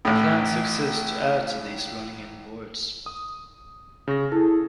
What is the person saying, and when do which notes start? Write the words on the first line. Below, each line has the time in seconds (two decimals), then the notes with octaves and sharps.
Plans exist to add to these running-in boards.
0.05 A1 A2
3.06 D#6
4.08 C#3 C#6 A#6
4.32 E4 G#4 A4